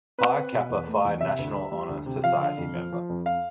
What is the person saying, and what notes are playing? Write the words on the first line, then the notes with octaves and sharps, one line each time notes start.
Phi Kappa Phi National Honor Society member.
C4 B4
C4
B2
E2
A3
E2
C3 E5
D2
G3
G3
D2
C3
F3 F5
D3
F2
F3
F3
F2
F5